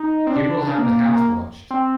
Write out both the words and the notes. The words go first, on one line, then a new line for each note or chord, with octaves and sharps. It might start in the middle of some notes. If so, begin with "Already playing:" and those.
He will have the house watched.
Already playing: D#4
C4
D4
A#3
C4